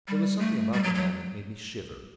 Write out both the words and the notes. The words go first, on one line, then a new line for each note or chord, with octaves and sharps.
There was something about the man that made me shiver.
G3
A3
G3
F#3
F#3